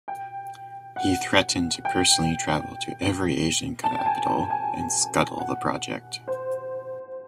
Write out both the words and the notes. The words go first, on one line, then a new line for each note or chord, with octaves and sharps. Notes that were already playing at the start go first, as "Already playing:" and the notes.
He threatened to personally travel to every Asian capital and scuttle the project.
G5
F#5
G5
A5
G5
G#5
A5
G#5
F#5
C5